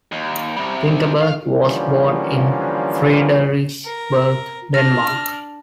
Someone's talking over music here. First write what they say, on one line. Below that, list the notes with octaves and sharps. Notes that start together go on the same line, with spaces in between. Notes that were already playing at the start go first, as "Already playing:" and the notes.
Vinterberg was born in Frederiksberg, Denmark.
D#2
C3 G3
F5
D3 E3 F3 G3 A#3 C#4
A#4
D4 F6 A#6